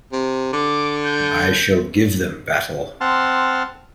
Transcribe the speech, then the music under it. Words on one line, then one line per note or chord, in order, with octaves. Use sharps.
I shall give them battle.
C3
D3 D6
G6
C4 F#5 A5 C6 F6